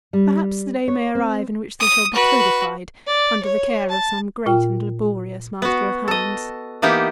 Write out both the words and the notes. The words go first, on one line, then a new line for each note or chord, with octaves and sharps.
Perhaps the day may arrive in which they shall be codified under the care of some great and laborious master of hounds.
G3
C#5
C4
D#6
F#4 B4
D5
C#5
A5
A#2 F4 G5
B3 F#4
A4 D#5
E3 A#3 B3 D#4 G4